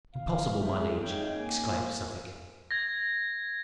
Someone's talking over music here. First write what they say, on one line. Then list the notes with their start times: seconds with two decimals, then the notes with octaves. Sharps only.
"Impossible, my liege?" exclaimed Suffolk.
0.13 F5
0.61 G#3 A3 C4 G#4
1.04 C#3 D#4 G5
1.35 A#3 G#5
1.69 F3
2.71 G#6 A#6